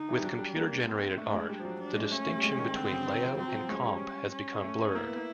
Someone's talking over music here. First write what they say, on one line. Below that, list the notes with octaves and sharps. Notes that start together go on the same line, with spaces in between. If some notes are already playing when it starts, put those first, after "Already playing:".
With computer-generated art, the distinction between layout and comp has become blurred.
Already playing: D3 D#4
E3
G3
F#3 D4
G3
A#3
C4
A3 D4
G#3
G3
F3
F#3
D4
G#3
A3 C#4
A3
G3
G#3
D#3
D3 C4
C#3
D#3
F3
G3
F#3 C4
F#3
F3
G#3 C#4
G3
C#4
A3
A#3 E4
B3
A#3